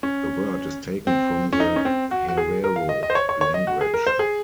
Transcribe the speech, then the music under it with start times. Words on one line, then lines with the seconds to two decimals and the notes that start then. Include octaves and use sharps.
The word is taken from the Herero language.
0.03 C#4
1.07 C4
1.53 C#4
1.60 D#4
1.76 C#4
1.85 C4
2.11 F#4
2.28 F#4
2.37 G#4
2.64 A#4
2.76 F5
2.89 D#5
3.03 D#5
3.10 C5
3.15 C#5
3.29 C#5
3.41 C#5
3.54 D#5
3.67 F#4
3.81 G#4
3.94 A#4
4.07 C5
4.19 G#4